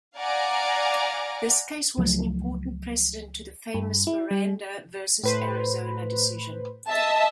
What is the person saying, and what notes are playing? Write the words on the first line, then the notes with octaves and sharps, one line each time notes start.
This case was an important precedent to the famous "Miranda versus Arizona" decision.
D5 F5 F#5 G#5 A#5 D6
C#2 F3 F#3 A3
G2
E4
G3
A2 B4 C5
D#5 E5 A5